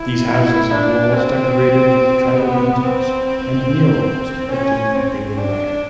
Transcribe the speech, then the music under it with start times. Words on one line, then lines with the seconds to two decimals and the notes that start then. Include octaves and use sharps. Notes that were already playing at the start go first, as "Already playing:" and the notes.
These houses have walls decorated with tribal paintings and murals depicting daily life.
Already playing: E4
0.29 E4
0.71 D4
1.14 C4
2.41 B3
2.83 C4
3.26 C4
4.52 C#4
4.96 C4
5.38 D4